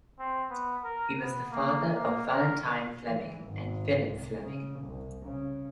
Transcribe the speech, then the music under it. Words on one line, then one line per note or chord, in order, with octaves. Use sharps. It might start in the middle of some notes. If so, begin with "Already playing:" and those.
He was the father of Valentine Fleming and Philip Fleming.
C4
B3
A#4
B3
A#3
A#3
A#4
E3
G#1
C2
C#3
C2
C#3